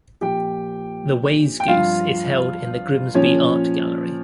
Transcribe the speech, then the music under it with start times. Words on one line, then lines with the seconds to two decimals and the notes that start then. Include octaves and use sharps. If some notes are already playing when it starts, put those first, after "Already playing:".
The wayzgoose is held in the Grimsby Art Gallery.
0.21 A#2 F3 G4 G5
1.60 G5
1.68 G2 F3 F4 F5
3.15 A#2 F3 C#4 C#5